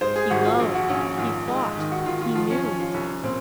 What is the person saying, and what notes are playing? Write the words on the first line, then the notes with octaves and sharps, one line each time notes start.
He loved, he thought, he knew.
G#2 C5
G#4
G#1 F#4
F4
A#1
F#4
A#1 C#4
G#1 F4
G#2 D#4
D#3 D#4
F#4
D#3 F4
F4
F3 F4
C#4
F3 C#4
F4
C2 C#4
A#2 C4